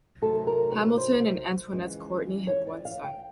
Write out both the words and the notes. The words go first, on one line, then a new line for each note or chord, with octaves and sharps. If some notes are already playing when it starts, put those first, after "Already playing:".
Hamilton and Antoinette Courteney had one son.
C3 D#3 F#3 A3 A4
A#4
B4
C5
F2 C#3 E3 G#3
C#5
D5
F5
G5